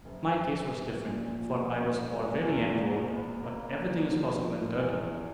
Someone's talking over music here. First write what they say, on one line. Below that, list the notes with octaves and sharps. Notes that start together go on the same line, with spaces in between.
My case was different, for I was already enrolled; but everything is possible in Turkey.
F#1
F#1
A#1
A#2
F3
C#2
G#3
E2
A#2
B3
A#3
G3
F3
F3
E2